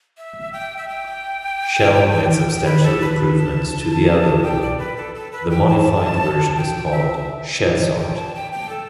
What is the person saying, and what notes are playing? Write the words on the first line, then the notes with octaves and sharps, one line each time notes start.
Shell made substantial improvements to the algorithm; the modified version is called Shell sort.
E5
G5
E5
G5
G5
G5
B4
A4
B4
A5
G5
D5
B4
A4
A4
B4
G5
A5
G5
E5
G5
A5
G5
G5
A4